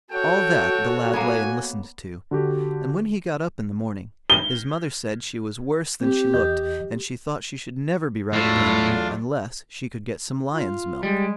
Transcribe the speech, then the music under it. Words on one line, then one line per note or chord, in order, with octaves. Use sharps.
All that the lad lay and listened to; and when he got up in the morning his mother said she was worse than she looked, and she thought she should never be right again unless she could get some lion's milk.
F#4 A4 C#5 G5
A#3 B3 G#5
D3 F#4 G4
G7
C4 G4
E2 D#5 G6
E2 A2 F#3 A3 D4 F4 F5
F4
G3 G#3